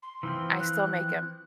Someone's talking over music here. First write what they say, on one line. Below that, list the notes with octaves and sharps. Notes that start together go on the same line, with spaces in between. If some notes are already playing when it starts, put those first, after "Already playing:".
I still make 'em
C6
E3 F3 C4
F#6